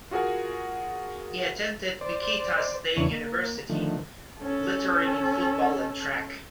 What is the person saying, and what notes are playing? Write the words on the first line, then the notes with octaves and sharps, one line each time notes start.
He attended Wichita State University, lettering in football and track.
F4 F#4 G#4 A#4 G#5
C5 D5
E2 C#3 E3 D4 C#6
A#3
D3 D#3 F3 A3
C#4 A4